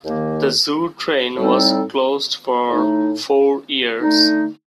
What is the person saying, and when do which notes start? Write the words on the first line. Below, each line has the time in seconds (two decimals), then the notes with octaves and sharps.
The zoo train was closed for four years.
0.05 D#2 D#3 A#3
1.37 A2 G3 C4 D#4 A4
2.69 A2 A3 D#4
4.00 D3 A3 D#4